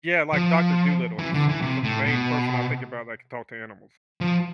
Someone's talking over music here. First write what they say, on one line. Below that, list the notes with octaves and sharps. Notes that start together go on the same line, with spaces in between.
Yeah, like, Doctor Dolittle. He's he's the main person I think about that can talk to animals.
F3
E3
D3
E3
C3
A2
B2
F3